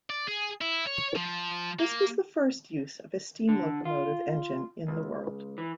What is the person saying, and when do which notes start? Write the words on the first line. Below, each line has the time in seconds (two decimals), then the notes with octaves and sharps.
This was the first use of a steam locomotive engine in the world.
0.10 D5
0.27 G#4
0.61 E4
0.87 C#5
1.16 F3
1.79 A#3
3.49 D3
3.85 F4
4.88 C#2
5.58 E3